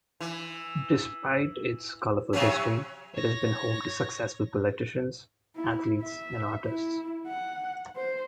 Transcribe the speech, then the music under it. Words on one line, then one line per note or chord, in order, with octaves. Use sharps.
Despite its colorful history, it has been home to successful politicians, athletes, and artists.
E3
C3 F#3 C#4
C#5 A#6
E4
E5
E4
F#5
C5